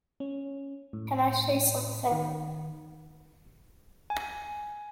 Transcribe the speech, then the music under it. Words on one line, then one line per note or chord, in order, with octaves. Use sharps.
Can I say something?
C#4
A2
D#3
G#5